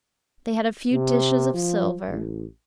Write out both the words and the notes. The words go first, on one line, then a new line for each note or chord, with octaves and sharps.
They had a few dishes of silver.
C3
F3
A1